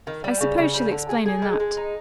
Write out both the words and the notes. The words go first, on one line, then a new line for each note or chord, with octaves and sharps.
I suppose she'll explain in that.
D#3
G3
C#3
C#3
G3
D3
G#4
G#4
G#3
G#3
D#4